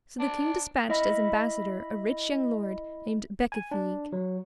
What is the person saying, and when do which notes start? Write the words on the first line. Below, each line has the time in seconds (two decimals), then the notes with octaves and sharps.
So the King despatched as ambassador a rich young lord named Becafigue.
0.19 D4
0.89 E4 D#5 E5 B5
3.52 G#5
3.71 D4
4.13 F#3